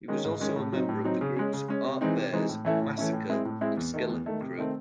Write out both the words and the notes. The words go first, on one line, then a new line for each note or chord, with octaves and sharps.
He was also a member of the groups Art Bears, Massacre, and Skeleton Crew.
D#3 G#3 C#4
G#2
D#3 G#3 C#4
A2
F#3 C4 D#4
A2
F#3 C4 D#4
C#3
G#3 C#4
C#3
G#3 C#4
C3
E3 G#3 C4 D#4
C3
E3 G#3 C4 D#4
A2
E3 A3 C#4 E4
A2
E3 A3 C#4 E4
A2
G#3 C4 E4
A2
G#3 C4 E4
E2
D#3 A3
E2
D#3 A3
C3
D#3 A3 C4